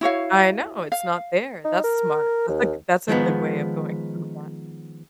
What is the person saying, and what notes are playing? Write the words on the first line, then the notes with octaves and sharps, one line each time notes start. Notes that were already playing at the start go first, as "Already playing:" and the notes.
I know, it's not there. That's smart. That's a g that's a good way of going through that.
E4 F#4 C#5 F5
F5
D#4
A#4
D#2
D#3 F3 G#3 B3